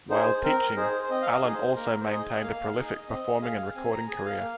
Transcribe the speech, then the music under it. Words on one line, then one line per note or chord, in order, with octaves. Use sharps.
While teaching, Alan also maintained a prolific performing and recording career.
D#4 G#4 C5
C4 A#4
D#4 G#4 C5
C5
C4 D#5
F5
D#5
D#4 G#4
C5
A#3 A#4
C5
D#4 G#4 D#5
G#5
A#3 F5
D#4 G#4 D#5
C4 D#5
G#4 F5
C4 G#5
A#5
G#4 G#5
F5
A#3